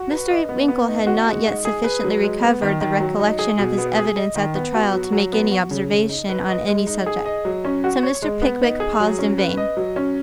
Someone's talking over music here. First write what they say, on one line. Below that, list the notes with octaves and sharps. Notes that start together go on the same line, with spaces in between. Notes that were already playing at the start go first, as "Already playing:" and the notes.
Mr. Winkle had not yet sufficiently recovered the recollection of his evidence at the trial, to make any observation on any subject, so Mr. Pickwick paused in vain.
Already playing: F#4
B4
D#5
B3
B3
D#4
F#4
G#3
D#4
G#4
B4
F#3
G#3
B3
D#3
D#3
F#3
D#4
G#4
B2
B3
G#4
D#5
D#3
B3
F#4
F#3
F#3
B3
F#4
C#3
C#3
D#4
B4
D#5
G#3
D#4
G#4
D#5
F#3
C#4
F#4
C#5
G#3
B3
D#4
G#4
F#3
C#4
B4
D#5
F#3
C#4